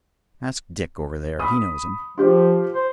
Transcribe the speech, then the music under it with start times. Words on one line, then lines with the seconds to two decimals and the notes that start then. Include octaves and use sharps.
"Ask Dick over there; he knows him."
1.39 B5 D#6
2.18 F3 F4 G4 C5
2.74 C5